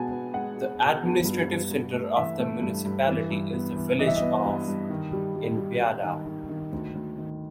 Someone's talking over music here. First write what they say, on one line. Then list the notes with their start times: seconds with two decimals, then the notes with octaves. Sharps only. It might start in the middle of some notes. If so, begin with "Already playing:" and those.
The administrative centre of the municipality is the village of Innbygda.
Already playing: B2 G#3 B3 F#5 G#5 A5
0.11 B3
0.34 G#3 F#5
0.57 G#3
0.80 B2
1.03 B3
1.25 G2
1.48 G2
1.71 G2
1.94 A3
2.16 E3 E5
2.39 A3
2.62 G2
2.85 G2
3.08 E3
3.30 G2
3.53 B3
3.76 E3
3.99 E3 D#5
4.07 E5
4.16 D#5
4.22 B3
4.45 G2
4.68 G2
4.90 D#3
5.13 G3
5.35 G3
5.58 G3
5.82 G3
6.04 D#3
6.26 D#3
6.49 D#3
6.72 D2
6.95 D2
7.17 D#3